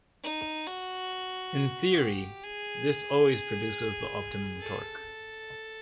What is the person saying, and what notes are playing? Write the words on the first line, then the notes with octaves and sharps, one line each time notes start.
In theory, this always produces the optimum torque.
D#4
F#4
G4
G#4
A4